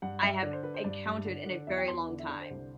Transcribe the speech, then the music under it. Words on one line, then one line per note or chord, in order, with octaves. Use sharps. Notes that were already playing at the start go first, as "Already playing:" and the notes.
I have encountered in a very long time,
G2 F#5
G2 E5
D3 D5
C5
D3 B4
C5
G2 D5
G2
D3
D3
E2 E5
G5
E2 C6
D3
E5
D3 D5
C5
C2